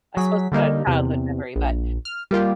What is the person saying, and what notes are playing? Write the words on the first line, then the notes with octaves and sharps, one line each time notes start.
I suppose it's a childhood memory, but
F#3 G#4 B6
D3 G3 A#3 D#4
E2 C3
A#1
F6
G3 A#3 F4 G4